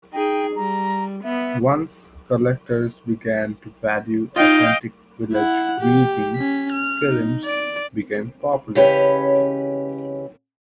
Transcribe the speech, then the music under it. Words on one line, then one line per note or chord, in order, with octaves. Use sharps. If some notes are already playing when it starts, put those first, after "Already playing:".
Once collectors began to value authentic village weaving, kilims became popular.
D#4 G#4 G5
G3 A#5
B3 E5
D#4 F4 D#5 F5 G5
E4 F#5
G4
C#4 B6
F6
D#4
D5 D7
C#3 E3 G#3 C#4 G4 B4